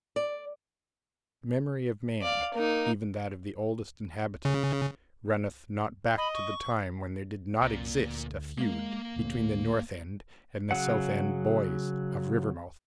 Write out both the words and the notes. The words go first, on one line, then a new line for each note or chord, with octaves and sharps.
The memory of man, even that of the Oldest Inhabitant, runneth not back to the time when there did not exist a feud between the North End and the South End boys of Rivermouth.
D5
D5 F5
A#3 D#4
C#3
D#5 B5
C#6
C2 A#2
D2
G#3 A#3 F5
D2 A#2 A3
C#3 F#3 F#5